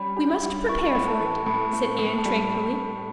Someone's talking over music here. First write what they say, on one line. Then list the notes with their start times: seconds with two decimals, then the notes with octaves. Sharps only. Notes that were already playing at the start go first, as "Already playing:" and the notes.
"We must prepare for it," said Anne tranquilly.
Already playing: G3 C#4 G4 B5
0.17 G4
0.43 G3
0.68 E4 C#6
0.88 B5
0.95 A2
1.08 A5
1.21 E3
1.28 A5
1.46 A2 B5
1.73 A3
1.85 C#6
1.99 A2
2.18 A5
2.25 G3 B5